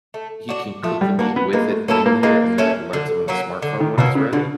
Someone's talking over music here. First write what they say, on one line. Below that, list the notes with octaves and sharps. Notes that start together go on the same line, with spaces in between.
he can cook the meat with it in there, and then it alerts him on the smartphone when it's ready?
A3
D4 F#4
F3 A3
G3
A#3 D4 F#4
B3
G#3 A#3
A3
A#3 C#4 E4 A4
A#3
G#3 A#3
C#4 E4 A4
D3
F#3 A#3 C#4
D3
D#3
B2 F#3 A#3 C#4
C#3
B2 D3